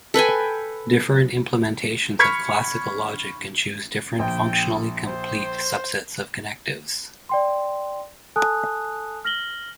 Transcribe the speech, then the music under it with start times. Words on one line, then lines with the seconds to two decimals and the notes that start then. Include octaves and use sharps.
Different implementations of classical logic can choose different functionally complete subsets of connectives.
0.14 A4 B4 G5 G#5
2.19 B5 C#6 F6 G#6 B6 C#7
4.19 A#1 G5
5.06 C5
7.29 D5 G5 C6
8.36 A4 G#5 A5 D#6 F#6
9.25 F6 A#6 F#7 G7